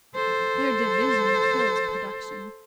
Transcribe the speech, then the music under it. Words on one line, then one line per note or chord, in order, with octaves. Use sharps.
Their division kills production.
A4 C5